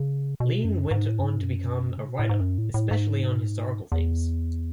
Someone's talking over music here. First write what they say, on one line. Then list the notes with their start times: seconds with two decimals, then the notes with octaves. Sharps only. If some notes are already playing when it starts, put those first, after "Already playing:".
Lean went on to become a writer, especially on historical themes.
Already playing: C#3
0.40 B2
0.65 F#2
0.91 G#2
1.08 A2
1.19 F#2
1.24 G#2
1.41 F#2
1.97 C#3
2.08 B2
2.19 A2
2.29 G#2
2.40 F#2
2.58 A2
2.74 A2
2.91 G#2
3.92 E2